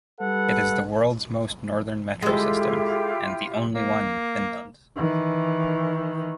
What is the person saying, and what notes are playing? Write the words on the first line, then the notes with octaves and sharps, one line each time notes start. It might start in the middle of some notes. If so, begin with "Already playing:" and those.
It is the world's most northern metro system, and the only one in Finland.
G3 A4 B4 F#5
G#3 E4 F4 G4 A4
A#3
D#3 E3